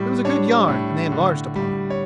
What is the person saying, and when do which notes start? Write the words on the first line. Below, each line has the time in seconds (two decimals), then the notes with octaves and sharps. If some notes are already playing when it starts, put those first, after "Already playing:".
It was a good yarn, and they enlarged upon it.
Already playing: A2 G3
0.25 D4 C#5
0.68 A2
1.12 D3
1.56 G3
1.90 C#5